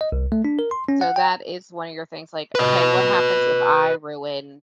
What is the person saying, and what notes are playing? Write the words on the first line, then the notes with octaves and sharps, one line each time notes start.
So that is one of your things, like, "Okay, what happens if I ruin"
D#5
C2
A3
D4
A#4
C6
C#4
F#5
G5
B4 D#5